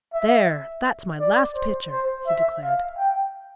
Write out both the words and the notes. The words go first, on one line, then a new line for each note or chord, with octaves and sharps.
"There, that's my last picture," he declared.
E5
D5
C5
C5
E5
F5
G5